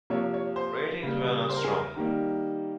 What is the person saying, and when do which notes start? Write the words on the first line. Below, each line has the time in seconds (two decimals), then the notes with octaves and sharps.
Ratings were not strong.
0.10 C3 F3 A#3 C#5
0.34 C#5
0.56 C5
1.03 C#3 G3 A#3
1.49 C5
1.57 A#4
1.64 G#4
1.71 A#4
1.96 D#3 G3 A#3